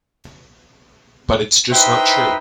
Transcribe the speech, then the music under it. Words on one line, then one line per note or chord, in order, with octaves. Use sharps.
But it's just not true.
D#4 E4 B4 C5 G5